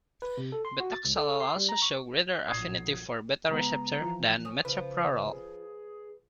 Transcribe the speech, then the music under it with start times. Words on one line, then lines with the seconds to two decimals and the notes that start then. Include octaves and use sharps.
Betaxolol also shows greater affininty for beta receptors than metoprolol.
0.22 B4
0.37 C3
0.52 A4
0.65 C6
0.80 F#4
0.92 A6
1.05 C#2
1.16 A4
1.40 C6
1.56 G3
1.69 A#5
1.82 C#6
2.48 A#1 A2 F#3 D#6 G#6 C7
3.49 C#3 G#3 B3 A#5
4.01 E3 F3
4.45 C#4 D#6
4.65 C#3 F3 B4
5.32 G#4